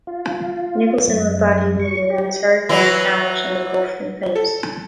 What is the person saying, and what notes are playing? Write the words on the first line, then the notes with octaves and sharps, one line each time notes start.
Nicolson was badly wounded, and his Hurricane was damaged and engulfed in flames.
F4
F#2
C#6
G4
E3 F#3 E4
A4